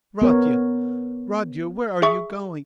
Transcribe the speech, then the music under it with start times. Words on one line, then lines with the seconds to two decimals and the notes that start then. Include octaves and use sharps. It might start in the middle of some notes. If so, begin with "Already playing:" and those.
Rodya, Rodya, where are you going?
0.22 B3 A#4 C#5
2.02 G#4 E5 C#6